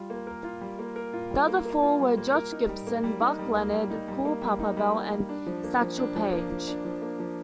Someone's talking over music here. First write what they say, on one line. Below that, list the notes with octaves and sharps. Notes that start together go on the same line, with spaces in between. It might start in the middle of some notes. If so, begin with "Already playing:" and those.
The other four were Josh Gibson, Buck Leonard, Cool Papa Bell and Satchel Paige.
Already playing: G3 F4
A#3
A#4
F4
G3
A#3
A#4
F4
G3
A#3
A#4
F4
G3
A#3
A#4
D#4
G3
A#3
G3
D#4
G3
A#3
G3
D#4
G3
A#3
G3
D#4
G3
A#3
G3
D4
F3
A#3
F3
D4
F3
A#3
F3
D4
F3
A#3
F3